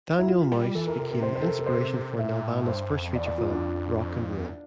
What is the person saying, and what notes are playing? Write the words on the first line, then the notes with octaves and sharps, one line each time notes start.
"Daniel Mouse" became the inspiration for Nelvana's first feature film, "Rock and Rule".
E4
F4
G3
E3 A4
A#4
C3 A4
A#4
C5
C5
A4
A#4
A#4
C5
A#4
A#2 E5
A2
G2 C5
F2
E2 D5
D5
F2 F4
E2 D4
F2
E2